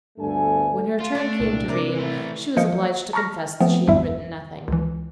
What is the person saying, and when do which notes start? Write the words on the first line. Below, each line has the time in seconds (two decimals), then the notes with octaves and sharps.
When her turn came to read she was obliged to confess she had written nothing.
0.19 D2 G2 A3 B3 A4 G#5
1.00 F4
1.15 A3 D4
1.40 C2 A#2
1.68 C3 G3 A#4 D5
1.95 E3 A3
2.57 F3 A#3 D#5 F5 G6 C#7
3.13 A5 A#5 C#6 F6 A#6
3.60 F3 A3 B3 C4
3.87 G#1 E2 G2 G3 E4 E5
4.68 C#2 E3